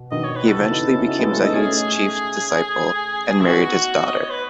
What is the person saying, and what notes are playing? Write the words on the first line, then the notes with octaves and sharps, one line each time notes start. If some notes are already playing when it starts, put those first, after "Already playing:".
He eventually became Zahid's chief disciple and married his daughter.
Already playing: B2
B2 D#3 D#5
C#5
B4
A4
C#3 E3
B3 D#4
B3 D#4
C#4 E4
D#4 F#4
G#3 B3
A3 C#4
B3 D#4
A3 C#4 G#4
E4
B3 D#4 F#4
D#5
C#5
B4